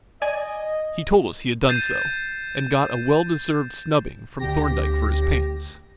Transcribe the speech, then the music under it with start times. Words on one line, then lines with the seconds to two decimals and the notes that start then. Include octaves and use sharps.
"He told us he had done so, and got a well-deserved snubbing from Thorndyke for his pains."
0.22 D5 D#5 G#5
1.69 G6 A6 C7 D#7 E7
4.39 D2 G4 A#6